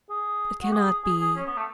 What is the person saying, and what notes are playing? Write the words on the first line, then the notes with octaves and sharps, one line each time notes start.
It cannot be.
G#4
F#4
G#4
G#4
G#4
C#4
B3
A3